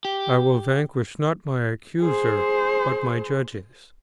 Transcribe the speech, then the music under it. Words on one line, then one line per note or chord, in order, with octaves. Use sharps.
I will vanquish, not my Accuser, but my judges.
G4
G#4 C5